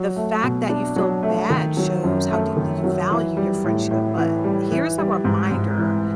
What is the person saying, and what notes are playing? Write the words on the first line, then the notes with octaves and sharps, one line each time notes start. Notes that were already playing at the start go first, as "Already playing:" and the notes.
The fact that you feel bad shows how deeply you value your friendship, but here's a reminder,
Already playing: F#3
A3
B2
D4
F#3
A3
D#3
F#3
F#2
A3
D#3
F#3
E3
G3
A2
A2
E3
G3
E3
G3
G#2
G#2
E3